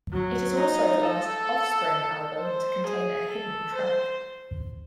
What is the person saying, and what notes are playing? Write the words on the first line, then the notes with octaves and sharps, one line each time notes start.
It is also the last Offspring album to contain a hidden track.
F#3
D#4
A4
C5
G#4
A4
C5